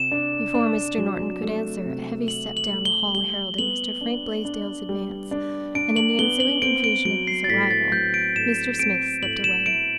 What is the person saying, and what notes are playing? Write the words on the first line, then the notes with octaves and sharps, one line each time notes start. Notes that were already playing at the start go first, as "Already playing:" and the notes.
Before Mr. Norton could answer, a heavy step down the hall heralded Mr. Frank Blaisdell's advance, and in the ensuing confusion of his arrival, Mr. Smith slipped away.
Already playing: C3 E7
D4
D4
F#3
A3
C3
A3 F#7
F#7
A3
G7
G3 G7
B3 F#7
D4
D4
G3
D4
D4 D7
F#7
B3 G7
F#7
C4 D7
D7
F#3 D7
C7
A6
A2 B6
A6
F#3 G6
D7
A2 E7
C4 D7
A2 F#7
E7
E4 D7